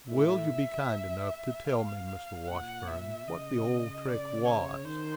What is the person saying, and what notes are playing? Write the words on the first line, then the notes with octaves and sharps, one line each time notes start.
"Will you be kind enough to tell me, Mr. Washburn, what the old trick was?"
A2 E5
F5
A#2 F#5
E5
C#3 D#5
D5
C#5
D#3 C5